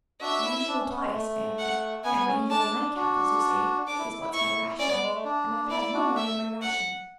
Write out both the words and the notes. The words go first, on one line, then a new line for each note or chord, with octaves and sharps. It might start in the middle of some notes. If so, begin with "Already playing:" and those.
My usual twice and--and my usual night-cap, as you say, is what's my ration, and I've had no more than my ration.
D4 F#4 E5
E4
D4
C#4
B3
G#3
A3
F#5
B3 G#5
C#4
D4 A5
D4 F#4
D4 D6
E4
E4
E4 C#6
C#4 D5
B3
G#3
A3
D4
E4 D5
D4 F#4
E5
F#5